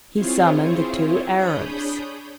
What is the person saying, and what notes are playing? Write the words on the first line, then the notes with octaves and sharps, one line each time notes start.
He summoned the two Arabs.
C4 E4 F4 G#4 C5 C#5
D4 G#4 C#5 B5 D#6 G6